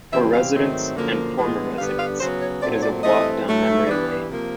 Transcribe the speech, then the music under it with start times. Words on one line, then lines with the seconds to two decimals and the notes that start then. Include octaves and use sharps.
For residents and former residents it is a walk down memory lane.
0.12 C#3 E3 G3 C4 E5
0.33 F5
0.54 G#2 D#3 F#3 A3 C4
0.95 F#2 D3 F3 A#3
1.37 A2 E3 G#3 B3
1.78 G2 D3 G3 B3 F5
1.99 F5
2.20 C#3 F#3 B3 C5
2.41 C#5
2.61 A#2 F#3 A3 C4 D5
2.74 C#5
2.83 D5
3.03 G2 E3 A3 C4 D#5
3.45 A2 F#3 A3
3.87 G2 E3 G3 B3 D5
4.28 C3 F3 A#3